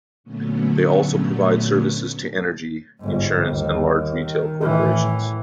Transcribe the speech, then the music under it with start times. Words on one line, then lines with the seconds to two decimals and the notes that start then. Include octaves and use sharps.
They also provide services to energy, insurance and large retail corporations.
0.24 A#2 D3 F#3 A3 B3 C#4
3.00 G1 G#2
3.49 D#2
4.24 D#3
4.61 A2 E3